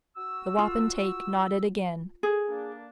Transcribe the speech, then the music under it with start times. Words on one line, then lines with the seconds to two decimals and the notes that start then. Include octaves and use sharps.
The wapentake nodded again.
0.17 F#4 E6
0.58 F4
2.23 G#4
2.48 A#3 D4